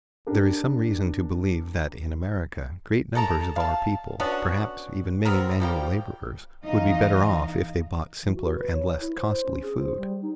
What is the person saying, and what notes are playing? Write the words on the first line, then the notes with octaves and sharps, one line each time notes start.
There is some reason to believe that in America great numbers of our people, perhaps even many manual laborers, would be better off if they bought simpler and less costly food.
D4 G4 A#4
A4 A#4 A5 A#5
F5 A5
B3 C#4 D4 F#4
B3 C4 A#4
F3 G3 A#3 G5
E2 D#4 D#5 F5
E3
F#4
B4
C#5
E4
C5
C#4
G#4
C5
G3
D#4